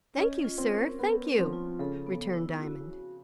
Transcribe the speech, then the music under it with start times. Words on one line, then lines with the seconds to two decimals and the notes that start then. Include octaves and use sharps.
"Thank you, sir, thank you," returned Diamond.
0.17 C#4 D#5
0.45 F4
0.58 C4
0.72 A#4
0.99 B3 A#4
1.26 C4
1.39 F3
1.53 F4
1.79 C#3 A4
2.07 B3
2.33 E4
2.61 F#4